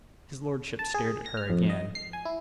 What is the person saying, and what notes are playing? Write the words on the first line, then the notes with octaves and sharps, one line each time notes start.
His lordship stared at her again.
A5
G#4
A#6
F6
F2
D#5
C7
G#5
E4